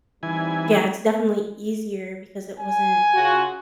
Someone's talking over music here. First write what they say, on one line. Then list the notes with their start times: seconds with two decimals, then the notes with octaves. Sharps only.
yeah, it's definitely easier because it wasn't,
0.23 E3 G3 C4 D#4 G#5
2.60 G#5
3.14 C#3 F4 F#4